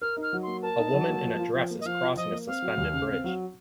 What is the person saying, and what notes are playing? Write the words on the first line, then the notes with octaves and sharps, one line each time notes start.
A woman in a dress is crossing a suspended bridge.
A#4 F6
D#4
F6
F#3
A#3 C6
A#4 A5
D#4
F#3
A#3
F3
F4
F3
A#3
D#5
F3 F5
F4
F3 D#5
A#3
C4 F5
F#3
D#2
C#3
C4
F#3